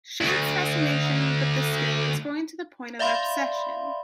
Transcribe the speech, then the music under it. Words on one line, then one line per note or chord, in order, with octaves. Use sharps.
Chade's fascination with the Skill is growing to the point of obsession.
D2 G2
D5 E5 F5 B5 C6